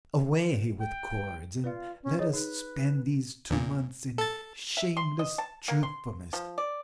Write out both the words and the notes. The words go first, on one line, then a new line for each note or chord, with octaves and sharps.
Away with cords and let us spend these two months in shameless truthfulness!
G5
F4 B4 D5 F5
C#4
D#4 G#4 C#5 D#5
D#4 G#4 B4
E2 A#2
A4 A6
E5
C6
D#5
A5
A#3
C6
F3
D5